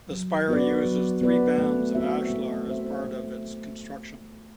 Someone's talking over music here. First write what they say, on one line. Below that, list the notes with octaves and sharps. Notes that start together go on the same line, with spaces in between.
The spire uses three bands of ashlar as part of its construction.
F#3
B3 F#4 B4 D5
F#3
B3 F#4 B4 D5
A3
C4 F#4 C5 E5
A3
C4 F#4 C5 E5
A3